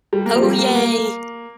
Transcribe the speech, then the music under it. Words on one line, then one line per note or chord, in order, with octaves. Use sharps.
Oh, yay.
G3
A#3
F3
G3
A#3
A#3